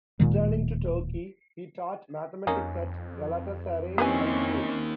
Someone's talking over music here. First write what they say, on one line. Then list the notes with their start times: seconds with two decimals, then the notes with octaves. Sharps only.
Returning to Turkey, he taught mathematics at Galatasaray High School.
0.20 D1 A#2 D#3 G#3
2.47 F2 A#3 C#4 D#4
3.98 A#3 C4 C#4 D#4 E4 G4 B4 G#5